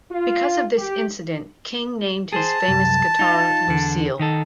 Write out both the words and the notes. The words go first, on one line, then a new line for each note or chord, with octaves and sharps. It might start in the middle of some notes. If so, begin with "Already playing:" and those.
Because of this incident, King named his famous guitar Lucille.
F4
G4
G#4 C5 A5
C2 F#2
D#4 F4
E2 D3
D#3 D#4 A4